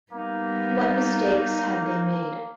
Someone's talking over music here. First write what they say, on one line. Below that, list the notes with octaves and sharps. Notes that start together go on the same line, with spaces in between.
What mistakes had they made?
G3 A#3 B3 D#4